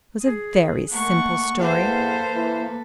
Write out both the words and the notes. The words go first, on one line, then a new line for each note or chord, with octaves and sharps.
It was a very simple story.
G#4
A3 A#3 F#5 C#6
E2 A4 B4 C5 F5
E3